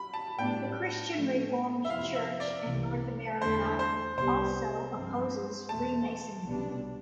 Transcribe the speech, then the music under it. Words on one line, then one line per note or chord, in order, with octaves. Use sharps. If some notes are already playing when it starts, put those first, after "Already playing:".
The Christian Reformed Church in North America also opposes Freemasonry.
Already playing: B5
A5
A2 G3 B3 D4 G5
A2 F3 A3
E5
F2 C3 F3 C4 E4 F5
E5
D5
C2 C3 E3
E2 D3 A3 E4 A4 C5
C5
C2 C3 G3 B3 C5
G2 F3 C4
E2 B2 A3 A5
C2 B2 G3 B3 D4